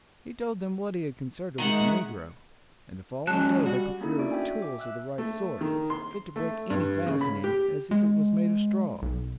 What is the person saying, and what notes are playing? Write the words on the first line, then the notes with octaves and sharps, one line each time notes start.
He told them what he had concerted with the negro, and the following day they procured tools of the right sort, fit to break any fastening as if it was made of straw.
D#3 G#3 E5 F#5
F#3 G#3 C#4 A5 F#6
G3 F#4
A#3 C#4 D#4 E4 G#4 A4
A3 D4 F#4 D5 D7
E5 G5 G#5
D6
E5 E6 F#6
A3
D#3
C6
A3
G2
C#3
B5
G4
G#3
B1